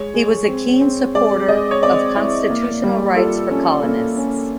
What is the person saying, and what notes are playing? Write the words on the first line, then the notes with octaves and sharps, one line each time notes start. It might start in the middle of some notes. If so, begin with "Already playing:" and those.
He was a keen supporter of constitutional rights for colonists.
Already playing: G#3 C#5
G#3
C4
C4
G#3 D5
G#3 D#5
C#5
C4 D5
E4
A#3
G3
F4 A4
C#4
A#3
C#4